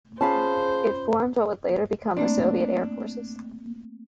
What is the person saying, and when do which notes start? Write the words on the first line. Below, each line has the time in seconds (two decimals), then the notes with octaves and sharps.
It formed what would later become the Soviet Air Forces.
0.21 C#4 F4 G#4 C5 F5 A5 B5
2.17 A3 A#3 C4 D4